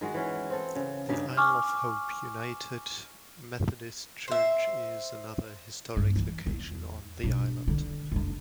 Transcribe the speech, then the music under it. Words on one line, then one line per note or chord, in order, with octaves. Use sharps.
The Isle of Hope United Methodist Church is another historic location on the island.
D#3 G#3 F#4
E3 C#4 F#5
C4 A4
C#3
G2 C#3 D#4 G4
G#5 C#6 D6 F6
C5 E5
G2 A#3
E3
E2
B2 D4
D3
F1 D4